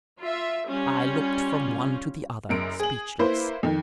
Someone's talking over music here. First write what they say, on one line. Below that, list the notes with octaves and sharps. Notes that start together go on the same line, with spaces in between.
I looked from one to the other, speechless.
F4 E5
G3 C#4 F4
F#1 F#2 D7
G#4 F#7
A#3 E4 B4 C5
F2 D#3